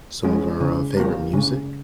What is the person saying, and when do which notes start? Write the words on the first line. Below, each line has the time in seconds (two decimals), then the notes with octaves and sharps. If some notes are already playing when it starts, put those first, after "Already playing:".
some of our, uh, favorite music,
0.24 G#3 C#4
0.61 C#3
0.97 G3 A#3
1.33 C#3